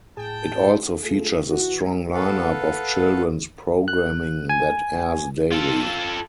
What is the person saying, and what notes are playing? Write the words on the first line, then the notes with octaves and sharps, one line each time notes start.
It also features a strong lineup of children's programming that airs daily.
A2 G#4 G5 A5
A3 F4 G#4 A4
E3 F#4
A4 B4 F5 F#5
F#6
G#5
F4 A4